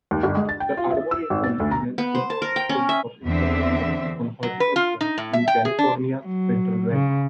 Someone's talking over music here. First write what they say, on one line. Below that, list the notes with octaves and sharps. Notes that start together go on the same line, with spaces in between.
The Arboretum is an important source of information on horticulture in California's Central Valley.
D#2
G1
G#3
A6
G5
F4
E5
E6
G#1
A6
D2
A#5
B3
C5
A5
A#4
G5
C#4
E5
E2 D3 C4 E5
F#3
B4
F4
D#4
A2
E5
G5
G#4
D4
F#3
C#3